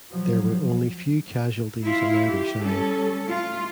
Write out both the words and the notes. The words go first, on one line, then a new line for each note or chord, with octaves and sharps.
There were only few casualties on either side.
F3 F#3
E4 F4
G4
G3 C#4 A4
A3 F4